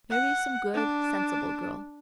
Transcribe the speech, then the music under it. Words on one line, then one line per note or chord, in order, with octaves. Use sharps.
Marry some good, sensible girl.
F#5
D4